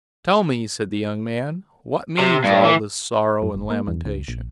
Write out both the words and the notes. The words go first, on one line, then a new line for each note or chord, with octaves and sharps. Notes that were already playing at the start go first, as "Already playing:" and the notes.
"Tell me," said the young man, "what means all this sorrow and lamentation?"
C3
G2
E3
F#2
F#1
A#3
E2
C#2
A#1